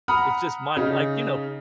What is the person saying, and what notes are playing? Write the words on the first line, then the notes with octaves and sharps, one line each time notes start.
It's just mind like, you know?
F#5 A#5 B5 D#6 F6
C#3 D#4